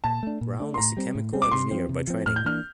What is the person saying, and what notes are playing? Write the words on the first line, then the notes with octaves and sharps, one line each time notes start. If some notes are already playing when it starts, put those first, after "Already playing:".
Brown is a chemical engineer by training.
A#2 A5
A3 D4
A#2
A3 D4
C6
A2 A#5
G3 C4
A2
G3 C4
D6
C3 C6
F3 C4
C3
F3 C4
A2 F6
G6
E3 A#3 D4 F6